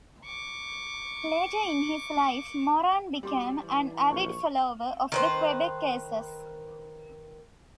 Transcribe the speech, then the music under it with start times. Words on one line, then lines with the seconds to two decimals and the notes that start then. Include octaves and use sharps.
Later in his life, Moran became an avid follower of the Quebec Aces.
0.25 C#6 D6
3.23 G3 F#4 C6 D6
3.61 E3
4.10 A#1 C#6
5.12 D#3 B4 C5